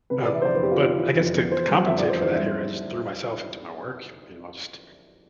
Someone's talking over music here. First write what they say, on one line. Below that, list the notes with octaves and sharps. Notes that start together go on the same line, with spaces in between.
Um, but, I guess to to compensate for that here I just threw myself into my work, you know, I just
C3 B4
D5
E3
E5
C5
F2 D5
B4
B3 G4
F4
C3
E3
F2
B3
E3 C5
G3
F2 E5
D5
F2
C5
E3 C5
E5
G3